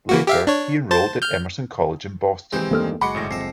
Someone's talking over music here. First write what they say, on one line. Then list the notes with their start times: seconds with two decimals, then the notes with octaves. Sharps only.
Later, he enrolled at Emerson College in Boston.
0.09 E3 A#3 F#4
0.27 G4 E5 F5
0.47 D4 C#5
0.91 C5 A5 A6
1.22 F6 G6
2.53 E3 G#3 C4 G4 G5
2.71 E2 G2 D#3 A#3 A4 F6
3.02 F#1 G#3 F#4 F#5 B5 C6 D6 C#7
3.14 G#1 A2 A#6
3.31 F2 E5 C7